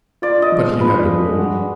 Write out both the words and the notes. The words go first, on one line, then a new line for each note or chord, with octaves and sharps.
But he had it ready.
F4 D5
D4
D#5
F3
G#3
F4 B4
D4
F3
G#3
F#4
D4